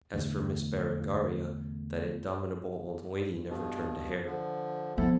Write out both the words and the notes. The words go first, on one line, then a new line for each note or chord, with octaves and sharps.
As for Miss Berengaria, that indomitable old lady never turned a hair.
E2 A2 D3 A3
G2 B2
D3 F3
D3 F3 B3 E4 A4